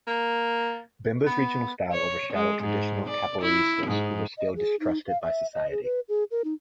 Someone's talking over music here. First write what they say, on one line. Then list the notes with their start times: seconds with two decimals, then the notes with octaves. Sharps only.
Bimba's Regional style overshadowed traditional capoeiristas, who were still distrusted by society.
0.07 A#3
1.26 B3
1.93 C#5
2.33 G#3
2.63 G#2
3.10 D5
3.42 E4
3.87 G#2
4.38 D#5
4.56 G#4
4.80 D#4
5.08 F5
5.22 E5
5.54 D#5
5.71 G#4
5.84 B4
6.09 G#4
6.31 A#4
6.45 D#4